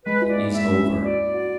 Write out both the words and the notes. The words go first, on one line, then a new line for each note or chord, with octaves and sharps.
It is over.
G#3 B4
E4
D5
G#2
G#2 E5
C#4
E4
F#4 D5
F#4
F#4